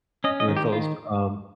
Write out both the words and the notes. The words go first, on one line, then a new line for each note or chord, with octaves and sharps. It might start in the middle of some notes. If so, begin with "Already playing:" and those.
Lentils, um
C#4 D#5
D#5
D#3
G4
D#3 F4